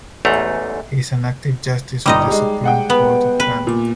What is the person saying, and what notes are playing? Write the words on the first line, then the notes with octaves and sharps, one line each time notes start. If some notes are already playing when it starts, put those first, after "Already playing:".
He is an active justice of the Supreme Court of Ghana.
A1 E2 G#2 A3 A#5
G1 G3 D#4 D#5 C6 D6
G#3 G4
G#3 F#5 G5
B3
B4
A#2